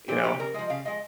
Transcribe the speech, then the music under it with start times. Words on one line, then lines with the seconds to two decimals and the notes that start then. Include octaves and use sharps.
you know,
0.08 A#2 G4
0.24 G3 G4
0.40 C#3 A#4
0.54 F3 G#3 D#5
0.70 C#3 F5
0.85 F3 G#3 D#5